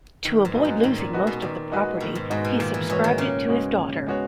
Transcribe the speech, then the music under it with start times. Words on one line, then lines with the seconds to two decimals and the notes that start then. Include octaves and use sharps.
To avoid losing most of the property, he subscribed it to his daughter.
0.25 B2 D#3
0.45 G#2
0.54 G#3 D#4 F#4 B4
0.65 F#2
0.83 G#2 D#3
0.98 A#2
1.13 G#3 D#4 F#4 B4
1.27 B2
1.42 A#2 D#3
1.71 G#3 D#4 F#4 B4
2.00 B2 D#3
2.15 G#2
2.30 G#2 G#3 D#4 F#4 B4
2.44 B2
2.60 A#2 D#3
2.74 E3
2.89 E3 G#3 B3 F#4 C#5
3.04 D#3
3.18 A#2 C#3
3.48 G#3 B3 F#4 C#5
3.77 A#2
4.07 G#3 B3 F#4 C#5